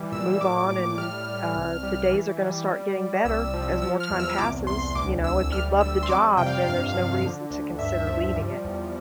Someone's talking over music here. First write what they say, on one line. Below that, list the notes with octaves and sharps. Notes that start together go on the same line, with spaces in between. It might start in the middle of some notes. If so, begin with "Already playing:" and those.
move on and, uh, the days are gonna start getting better, as more time passes, you know, if you love the job then there's no reason to consider leaving it.
Already playing: E3 G3
A#2 E6
A2 D6
A2
G3 F6
G3
C2
G3
E3
G3
G3
G3
C2 E6
F3
F3 E6
F6
E2
E6
C2 D6
C2 C6
D2 D6
D2 E6
G3 F6
G3 E6
C6
F2 D6
C3 G5
F5
G5
G2 F5
F3
D3
D2
G2 E5
F3
G3
E2